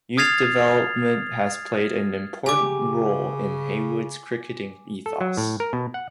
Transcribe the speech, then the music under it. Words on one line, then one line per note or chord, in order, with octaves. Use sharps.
Youth development has played an important role in Heywood's cricketing ethos.
D#6 F6 G#6 A6 C7 F7
C#3 G4 G#5 D6
A4
F#3
A2
A#4
B2
F#5